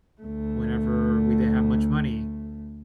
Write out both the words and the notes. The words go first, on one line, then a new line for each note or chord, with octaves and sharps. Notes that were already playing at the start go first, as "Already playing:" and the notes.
whenever we didn't have much money,
D2 A3